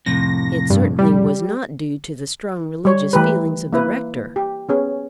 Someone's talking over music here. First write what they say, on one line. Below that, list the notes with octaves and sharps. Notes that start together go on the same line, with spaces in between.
It certainly was not due to the strong religious feelings of the rector.
F2 A2 C3 A#6
G2
G3
G3 C#5
E3 A3 G4 A#4 B4
A#3 E4 B4
G4
B3 C#4 G#4